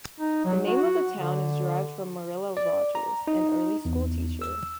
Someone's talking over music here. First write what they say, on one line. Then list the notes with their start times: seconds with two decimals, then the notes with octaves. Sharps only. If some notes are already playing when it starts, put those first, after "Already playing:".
The name of the town is derived from Marilla Rogers, an early school teacher.
0.20 D#4
0.45 F#3
0.67 F#4
1.18 D3
2.57 D5
2.95 A#5
3.27 D#4
3.85 E2
4.42 E6